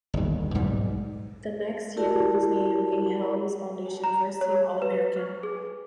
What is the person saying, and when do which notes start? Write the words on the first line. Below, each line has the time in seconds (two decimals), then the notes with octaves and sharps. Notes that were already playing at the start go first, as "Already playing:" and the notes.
The next year, he was named a Helms Foundation first-team all-American.
0.14 G1 D#2
0.54 B1 G#2 G3
1.97 E4 F#4 G4 A#4 D5 A5
4.04 A#5
4.41 C#5
4.82 B4
5.43 G#4